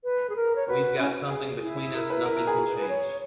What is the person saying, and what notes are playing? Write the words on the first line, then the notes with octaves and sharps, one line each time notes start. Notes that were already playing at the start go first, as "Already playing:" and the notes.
We've got something between us nothing can change.
B4
G#4
A#4
C#5
F#4 B4
C#4
G#4
E4
A#4
B4
A#4
A#4
G#4
F#4
B4
B4
C#5